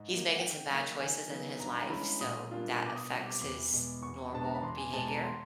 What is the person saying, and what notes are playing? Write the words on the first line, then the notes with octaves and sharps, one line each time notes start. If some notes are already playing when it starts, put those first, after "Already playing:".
he's making some bad choices in his life, so, that affects his normal behavior
Already playing: G#2
F3 A#3
F#5
D#3 G5
F#3 A#3
D#3 G#5
F#3 B3 D#4
G2 A#5
B5
A#5
E3 G#3 C#4 B5
A#2 D#6
G3 A#3 D4 F4
B2 D6
D#6
G3 C4
D6
E2 D6
B2 G#3
E2 C#6
B2 G#3 B3 D4 A5
A#5
B5
E2 C6
G#5
B2 G#3 A5
A#5
C6